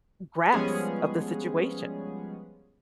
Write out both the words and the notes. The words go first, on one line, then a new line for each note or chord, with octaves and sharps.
grasp of the situation
F3 G3 G#3 B3 C#4 G#4